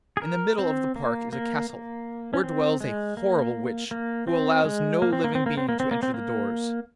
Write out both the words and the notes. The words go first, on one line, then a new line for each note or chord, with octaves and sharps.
In the middle of the park is a castle, where dwells a horrible witch who allows no living being to enter the doors.
G#4
A#4
C4
A#3
A#3
A#3
C#4
C4
G#3
A#3
A#3
C4
G#3
A#3
C4
A#3
C4
A#3
C4
A#3
C4
A#3
C4
A#3